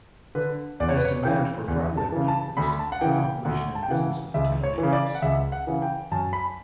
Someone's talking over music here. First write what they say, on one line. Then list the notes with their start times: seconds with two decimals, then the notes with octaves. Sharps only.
As demand for farm labor decreased, the population and business of the town decreased.
0.35 D3 B4
0.80 E2 D5
0.89 C#5
0.97 B4
1.05 C#5
1.24 C#3 E3 G5
1.68 E2
1.97 A5
2.12 C#3 E3
2.28 A5
2.57 D2 B5
2.79 A5
2.92 F#5
3.01 C#3 E3 G5
3.23 G5
3.45 D2 F#5
3.75 A5
3.83 G5
3.90 C#3 E3 F#5
4.34 C#2 E5
4.64 C#5
4.78 E3
4.83 C#3
4.93 D5
5.15 F#5
5.22 C#2 E5
5.52 F#5
5.67 C#3 E3
5.82 G5
6.12 F#2 A5
6.33 B5